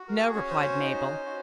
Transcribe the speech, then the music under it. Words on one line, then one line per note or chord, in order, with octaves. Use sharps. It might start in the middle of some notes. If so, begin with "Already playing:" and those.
"No," replied Mabel.
Already playing: F#4
A#4
G#4
C#4
C5
D#4
F#4